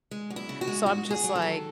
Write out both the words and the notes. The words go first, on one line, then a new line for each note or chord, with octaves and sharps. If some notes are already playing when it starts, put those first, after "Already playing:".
So I'm just like
G#3
F#2
E4
C#3
F#4
G#3
G#2 F#4
G#2
G#4
F#3
A4
D#3